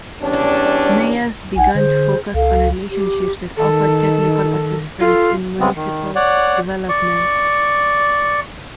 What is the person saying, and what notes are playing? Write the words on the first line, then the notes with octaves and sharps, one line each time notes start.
Mayors began to focus on relationships that offered technical assistance in municipal development.
E2 G3 C#4 D4
A#1 D#4 F#5 G#5
D3 G#4 C5
C#2 A4 F5
G4
D#3 A4
F4 A4
C#3 G#3 B3 C4
D#3
C#5 D5 F#5
D5 C#6